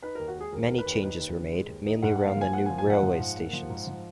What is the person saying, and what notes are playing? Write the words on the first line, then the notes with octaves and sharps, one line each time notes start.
Many changes were made, mainly around the new railway stations.
D#4 B4
D#2 A#4
F#4
G#3 G#4
D#2 A#4
D#4 A#4
B4
D#2
B4
D#4 B4
D#2
D3
G#3
D#2
D#4
G#2 F#5
A#3 F#5
F5
F3 G#5
A#3 F#5
G#5
F3
G#5
G#2 F#5
F3
G#2
A#3
F3
G#2
F3